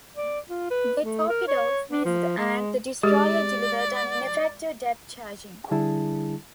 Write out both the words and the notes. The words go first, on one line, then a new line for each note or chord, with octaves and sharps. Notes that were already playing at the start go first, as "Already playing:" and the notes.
The torpedoes missed, and the destroyer delivered an ineffective depth charging.
D5
F4
B4
A3
A#4
C#5
D4
F3
G#3
G#3 G4 G#4 D5
D3 G3 D4 E4 G#4 A5